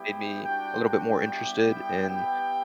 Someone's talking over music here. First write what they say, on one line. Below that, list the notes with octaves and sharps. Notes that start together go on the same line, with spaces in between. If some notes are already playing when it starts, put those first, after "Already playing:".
made me a little bit more interested in
Already playing: G3 B3 E4 G4 G5
G3 D4 F#4 G5
G5
G3 B3 E4 G4
B3 E4 G4 G5